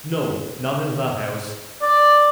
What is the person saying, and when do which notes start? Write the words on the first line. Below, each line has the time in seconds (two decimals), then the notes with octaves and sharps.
'No! not in that house!
1.82 D5